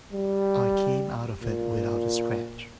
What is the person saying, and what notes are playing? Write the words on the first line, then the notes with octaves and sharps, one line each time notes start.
I came out of it without a scratch.
G3
A#2